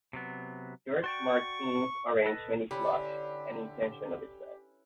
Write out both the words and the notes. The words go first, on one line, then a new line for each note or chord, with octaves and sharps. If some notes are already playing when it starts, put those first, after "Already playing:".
George Martin's arrangement is lush, and intentionally so.
C3 F#3 B3
F#4 D5 G5 C#6
A4 B4 D#5
D3 C#4 E4 G4 B4